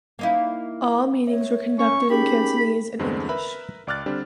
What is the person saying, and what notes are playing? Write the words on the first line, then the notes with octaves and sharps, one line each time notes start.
All meetings were conducted in Cantonese and English.
A#3 D#4 E4
C#5 E5
C#4 C#6
C#4 D#4 G4 G#4 A#4 B5
E2 G2 D3 G#3 C4
A#4 B4 E5 B5
C#2 D5 D6 F6 F#6 A6
D3 G3 C4 D4